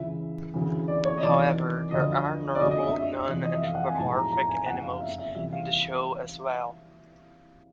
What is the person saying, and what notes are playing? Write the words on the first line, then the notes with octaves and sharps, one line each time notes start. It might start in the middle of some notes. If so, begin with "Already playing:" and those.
However, there are normal, non-anthropomorphic animals in the show as well.
Already playing: C#2 C#3 E3 E5
D2 C#3 E3
D5
C#5
D#5
E2 C3 D#3 F#3 D5
D2 D3 F3 D#5
D5
D2 D3 F#3 D#5
D#5
E5
E5
E2 C3 F3
D#5
E5
F5
F#5
G#5
B1 A2 F3 G#3 A5
A#5
A#5
G#5
F#1 F2 C#3 F#5
F5
E5
E5
C#2 C3 E3 G3 E5
F5